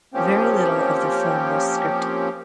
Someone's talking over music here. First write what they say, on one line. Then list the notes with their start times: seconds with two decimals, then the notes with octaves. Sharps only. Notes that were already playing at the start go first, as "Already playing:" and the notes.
Very little of the film was scripted.
0.14 F3 A#3 C4 C#4 G4